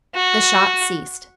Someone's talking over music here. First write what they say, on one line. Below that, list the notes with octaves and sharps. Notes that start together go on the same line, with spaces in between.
The shots ceased.
F#4